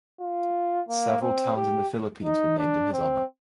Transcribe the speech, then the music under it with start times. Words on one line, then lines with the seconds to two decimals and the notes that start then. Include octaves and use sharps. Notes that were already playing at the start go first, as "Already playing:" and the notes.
Several towns in the Philippines were named in his honor.
0.20 F4
0.89 A#3
1.22 C4
1.57 G4
2.24 D#4
2.58 D4
2.93 C4